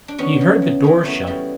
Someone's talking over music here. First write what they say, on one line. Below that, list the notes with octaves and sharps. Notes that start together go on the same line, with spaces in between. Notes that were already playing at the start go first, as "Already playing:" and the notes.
He heard the door shut.
D4
E2 B3 C#4
C#3 E3
E2
C#3 E3
F#2 A3 B3
C#3 E3 G3